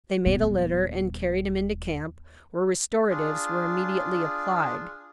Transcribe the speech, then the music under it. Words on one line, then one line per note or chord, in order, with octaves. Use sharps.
They made a litter and carried him into camp, where restoratives were immediately applied.
D#1 B3
D4 F4 G#4